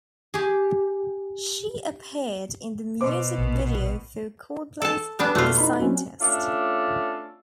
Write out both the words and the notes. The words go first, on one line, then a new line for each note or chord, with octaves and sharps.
She appeared in the music video for Coldplay's "The Scientist".
G4 G#4
B2 C5 D6
A#1
A4 A5
G3 B3 D4
F2 B2 A3 F4 F#6
D#4 B5
F#3 C4 C#4
A3 C#4 D4 F4 A4